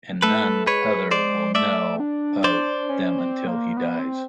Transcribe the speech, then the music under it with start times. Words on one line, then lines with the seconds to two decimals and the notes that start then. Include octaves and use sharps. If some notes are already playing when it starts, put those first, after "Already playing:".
And none other will know of them until he dies.
0.22 A3 A4 B4
0.67 G#3 B4 C#5
1.11 G#3 C5 D5
1.55 A3 D5 E5
2.00 D4
2.44 C5 D5
2.89 C#4
3.18 C4
3.48 A#3
3.77 B3
3.99 C4